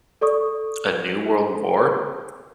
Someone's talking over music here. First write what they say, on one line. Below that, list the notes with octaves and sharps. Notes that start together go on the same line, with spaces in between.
A New World War?
A4 D5 C#6 D#6